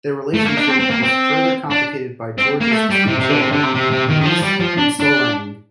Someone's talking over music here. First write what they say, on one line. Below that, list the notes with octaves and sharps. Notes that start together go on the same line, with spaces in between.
The relationship is further complicated by George's two children: Maurice and Solange.
A3
A#3
D4
C4
C4
A#3
C4
D4
C4
A#3
A3
G3
C3
C3
D3
C3
D3
C3
C3
C3
D#3
D#3
F3
G3
F3
D4
D4